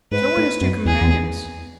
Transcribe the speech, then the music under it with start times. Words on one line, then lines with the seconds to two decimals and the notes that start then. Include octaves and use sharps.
So were his two companions.
0.12 G#2 B4
0.37 A2
0.61 F#2
0.85 E2 G#4
1.01 E2